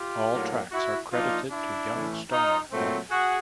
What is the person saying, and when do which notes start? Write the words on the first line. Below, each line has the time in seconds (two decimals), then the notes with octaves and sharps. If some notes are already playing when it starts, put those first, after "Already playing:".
All tracks are credited to Young Stoner Life.
Already playing: F4 G4
0.33 A2 F#3 A#3 D4
0.72 E4 F#4
1.11 F3 A#3 D4 D#4 F4
1.51 D4 E4
1.92 A2 E3 A3 C#4
2.31 D#4 F4
2.71 A#2 F#3 A3 C4
3.10 F#4 G#4